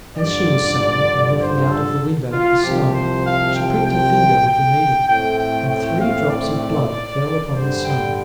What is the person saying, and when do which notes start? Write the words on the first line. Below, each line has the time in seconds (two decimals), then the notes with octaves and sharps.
As she was sewing and looking out of the window at the snow, she pricked her finger with the needle, and three drops of blood fell upon the snow.
0.18 G2 D3 F3 D5
1.40 C5
1.70 A4
2.33 F4
2.63 C2 C3 F3 G4
2.94 C5
3.24 F5
3.54 G5
3.85 G5
4.47 G5
5.08 A2 A3 C4 G5
5.39 G5
5.69 G5
6.00 F5
6.30 D5
7.52 G2 D3 G3 C5
7.83 G5